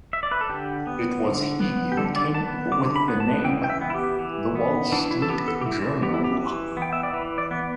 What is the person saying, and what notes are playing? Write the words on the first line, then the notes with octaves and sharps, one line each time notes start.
It was he who came up with the name "The Wall Street Journal".
E5
D5
B4
A4
D3 G4
B3
D3
B3
G4
D3 A4
D5
B3 A5
D3 D6
B5
B3
A5
E3 G5
G5
E5
B3
E4
G4
E3
B3
E3 D4
E4
A4
B3 G4
A4
G4
E3 E4
B3 G4
E4
G4
E3
B3
G5
E5
D5
E3 B4
D5
B3